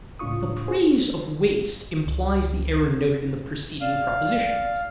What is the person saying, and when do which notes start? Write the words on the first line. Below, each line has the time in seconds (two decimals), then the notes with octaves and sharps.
The praise of waste implies the error noted in the preceding propositions.
0.19 C#2 A2 D4 F4 C#6 D#6
0.68 F#4 G#4 C5
2.06 C#2
3.81 D5 F5